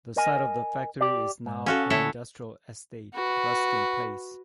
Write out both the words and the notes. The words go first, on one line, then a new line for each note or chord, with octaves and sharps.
The site of the factory is now an industrial estate, "Ruskin Place".
A#4 D#5 G#5
G4 D5
G#2
C#4 F#4 A4 F5
D2 E4 A4 C#5
F#4 B4